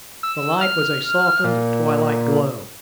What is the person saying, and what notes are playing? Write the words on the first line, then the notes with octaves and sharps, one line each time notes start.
The light was a softened twilight glow.
E6
F6
A#2